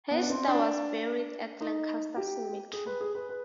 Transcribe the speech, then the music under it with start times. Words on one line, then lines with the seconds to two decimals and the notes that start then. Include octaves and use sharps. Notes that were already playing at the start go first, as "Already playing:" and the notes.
Hiester was buried at Lancaster Cemetery.
0.11 B3
0.22 D4
0.30 C4
0.47 D4
1.61 D#4
2.16 G4
2.73 G#4
2.86 B4
3.01 G#4
3.15 B4
3.29 B4